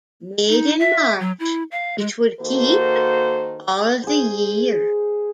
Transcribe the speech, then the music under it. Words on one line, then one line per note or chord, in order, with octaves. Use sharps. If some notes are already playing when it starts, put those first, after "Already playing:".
Made in March, it would "keepe all the yeere".
D#4
E5
F#3
E4
F5
G#3
D#3 A#3 F#4 A4 C5
G#4 C5